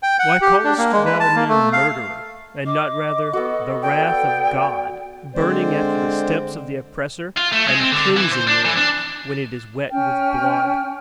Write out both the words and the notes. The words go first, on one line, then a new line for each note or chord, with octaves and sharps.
"Why callest thou me murderer, and not rather the wrath of God burning after the steps of the oppressor, and cleansing the earth when it is wet with blood?"
G5
F#5
G4
D4
A#3
G#3
B4
A5
A#3
A3
F5
D#5 D6
B3 F#4 A4
D5 G5
D3 G#3 C4 C5 D5
F4
A3
G#3
C4
D3
E3
C5
D4
E3
D4
C#4 G5 F6